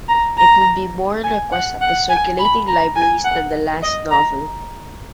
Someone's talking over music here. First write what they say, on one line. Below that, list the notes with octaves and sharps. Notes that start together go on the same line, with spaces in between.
It would be more in request at the circulating libraries than the last novel.
A#5
A#5
G#5
F#5
F#5
G#5
B5
A#5
G#5
F#5
D#5
A#5